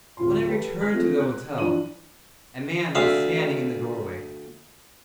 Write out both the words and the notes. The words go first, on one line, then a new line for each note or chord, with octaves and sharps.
When I returned to the hotel, a man was standing in the doorway.
D1 F4 C6
G4 A4 B4
D#6 F6 F#6 A#6 B6
A3 C4 F4
F#6
E3 F3 D4 D#7 F#7
D2 E5 F5